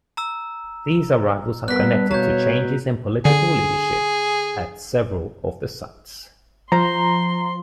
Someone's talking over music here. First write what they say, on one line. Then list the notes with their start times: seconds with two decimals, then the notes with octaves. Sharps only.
These arrivals are connected to changes in political leadership at several of the sites.
0.17 A#5 E6
1.68 G2 B3 A#4 F#6 B6
2.11 B2 C#5 F5 A#5 G6
3.25 D3 G#4
6.72 F3 C5 A#5 C6